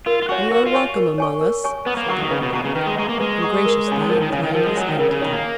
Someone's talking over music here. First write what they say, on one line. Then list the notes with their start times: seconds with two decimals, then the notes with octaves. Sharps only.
"You are welcome among us," said the Old Oak, and graciously inclined his head to them.
0.06 F4 A#4
0.22 F4
0.29 F#4 C#5 G#5 C#6
0.51 F#4 A#4
0.66 F4
0.74 C#5 G#5 C#6
0.96 A#4
1.18 C#5 G#5 C#6
1.41 A#4
1.64 C#5 G#5 C#6
1.86 B3 B4
1.97 A#3
2.09 F#3 F#5 A#5 C#6
2.20 D#3
2.31 C#3 B4
2.42 B2
2.53 B2 F#5 A#5 C#6
2.64 C#3
2.75 D#3 B4
2.86 G#3
2.98 G#3 F#5 A#5 C#6
3.09 A#3
3.20 G#3 B4
3.42 F#5 A#5 C#6
3.65 A#4
3.87 C#3 C#5 G#5
4.01 D#3
4.09 F3 A#4
4.21 D#3
4.32 C#3 C#5 G#5
4.44 D#3
4.55 F3 A#4
4.66 G#3
4.77 F#3 C#5 G#5
4.89 D#3
4.99 C#3 A#4
5.11 C#3
5.21 D#3 C#5 G#5
5.33 A#3